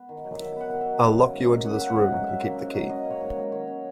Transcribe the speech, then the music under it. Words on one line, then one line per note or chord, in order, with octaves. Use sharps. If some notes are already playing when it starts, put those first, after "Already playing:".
I’ll lock you into this room and keep the key.
Already playing: B3
D#3
F#3
D#3 E5
B3 F#5
D#3
E5
F#3
C#4
A#3
G#2
F#3
C#4 F#5
A#3 E5
F#5
G#2
F#3
C#4 E5
A#3
G#2
F#3
C#4 D#5
A#3
C#5
G#2
F#3
D#3 C#5
C#4